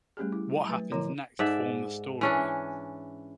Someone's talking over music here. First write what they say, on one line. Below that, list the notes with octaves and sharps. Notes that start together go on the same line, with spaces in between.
What happens next form the story.
G3 A3 C#4 G4 G#4
E4
F#3 A3 B4
D3 F3 E4 A#4 C#5 A#5
G#2 A4 D5 E5
E3 C#4 D4